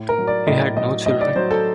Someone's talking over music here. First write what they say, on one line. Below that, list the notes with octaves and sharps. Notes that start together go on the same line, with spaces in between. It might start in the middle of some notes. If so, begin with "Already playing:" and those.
He had no children.
Already playing: A2
A#4
F#3
D5
A2 D#5
F#3 D#5
A2 D#5
D5
F#3 C5
A4